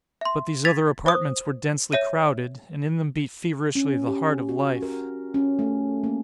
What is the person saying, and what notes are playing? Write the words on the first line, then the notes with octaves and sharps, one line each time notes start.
But these other apartments were densely crowded, and in them beat feverishly the heart of life.
E5 C6
G#6 A6 B6 F7
C5 D#6
C#5 E5 D#7
C#4
G4
F#4
A#4
C#4
A3
A#3